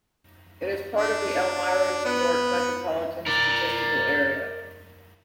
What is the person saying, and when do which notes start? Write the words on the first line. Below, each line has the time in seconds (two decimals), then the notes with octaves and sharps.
It is part of the Elmira, New York Metropolitan Statistical Area.
0.94 D4
2.05 B3
3.26 A#4 D5